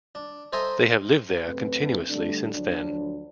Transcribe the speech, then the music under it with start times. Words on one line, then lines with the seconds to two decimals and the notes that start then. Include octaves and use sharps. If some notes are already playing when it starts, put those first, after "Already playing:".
They have lived there continuously since then.
0.15 D4
0.53 A4 C5 D#5 E5 G#5 A#5
1.46 F#2 C3 A3 C4 B4
2.09 D3 G3 A3 D4
2.53 D2 F3 F#3 D4